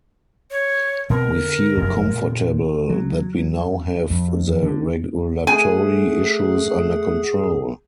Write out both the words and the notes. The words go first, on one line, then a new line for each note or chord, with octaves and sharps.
We feel comfortable that we now have the regulatory issues under control.
C#5
B2 C4 A#4
D3
F1 F#2
A#2
F#3
F2
D3
A3 G#4 F#5 G#5